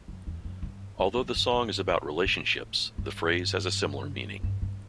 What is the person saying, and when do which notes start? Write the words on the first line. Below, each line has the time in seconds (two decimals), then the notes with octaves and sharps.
Although the song is about relationships, the phrase has a similar meaning.
0.08 F#2
0.27 E2
0.45 F#2
0.62 G2
0.99 E2
1.17 F#2
1.36 G2
1.53 G2
1.90 A2
2.26 A2
2.98 G2
4.43 G2
4.62 G2